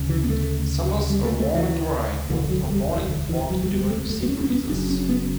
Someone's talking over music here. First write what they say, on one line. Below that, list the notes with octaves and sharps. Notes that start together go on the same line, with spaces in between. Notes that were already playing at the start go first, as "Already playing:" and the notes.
Summers are warm and dry, with some morning fog during sea breezes.
Already playing: D2 C#3
E3
B3
A3
G3
A3
A3
E3
E1 D2 D3 E3
F#3
G3
E3
D3
E3
F#3
F#3
G3
G3
A3
A3
B3
C#4
C#4
B3
F#1 F#2 C#3 D4
C#4
B3